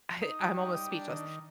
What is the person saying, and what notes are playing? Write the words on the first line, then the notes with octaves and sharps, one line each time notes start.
I I'm almost speechless,
D#4
G3
D#4
G3
D4
D#3